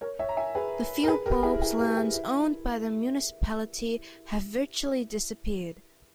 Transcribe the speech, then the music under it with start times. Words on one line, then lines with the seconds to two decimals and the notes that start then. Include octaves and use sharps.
The few bulbs lands owned by the municipality, have virtually disappeared.
0.01 A#4 C#5
0.19 C#5 E5
0.29 A#5
0.37 E5 G#5
0.55 G#4 B4
1.04 A#4
1.08 G#4 B4
1.26 G4 A#4
1.43 E4 G#4
1.61 E4 G#4
1.79 G4 A#4
1.96 E4 G#4
2.14 E4